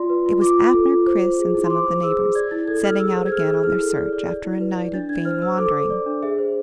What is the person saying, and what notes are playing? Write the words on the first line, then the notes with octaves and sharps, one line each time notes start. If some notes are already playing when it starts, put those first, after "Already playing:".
It was Abner, Chris, and some of the neighbors, setting out again on their search, after a night of vain wandering.
Already playing: F4 D5 C6
B4
F4
F4 D6
F4
A4
F4
C5
C5
G#4
E4
C6
C5 D6
C5
G#4 E6
G#4
D5 G#6
E4 A6
A4 G#6
A4 F6
G#4 E6
C5
G#6
G#4 F6
G#4
E4 F6
A4
D5
D5
D5
E4
B4
D5
D4 A6
D4 G#6
C5 F6
C5 E6
A4 D6
A4
D5
D4
G#4 E5
C5